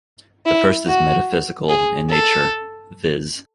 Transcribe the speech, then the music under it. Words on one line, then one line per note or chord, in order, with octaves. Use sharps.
The first is metaphysical in nature, "viz".
E4
F#4
G#4
A4